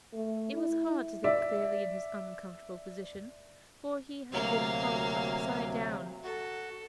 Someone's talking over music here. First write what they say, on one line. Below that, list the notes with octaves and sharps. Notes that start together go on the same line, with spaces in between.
It was hard to think clearly in his uncomfortable position, for he had been hung upside down.
A3
E4
D5 E5
D2 C3 F#3 A#3 F5
F#4 A4